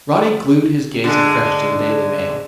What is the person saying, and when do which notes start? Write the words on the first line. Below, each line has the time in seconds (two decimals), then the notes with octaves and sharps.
Roddy glued his gaze afresh to the Daily Mail.
1.04 D3 G#3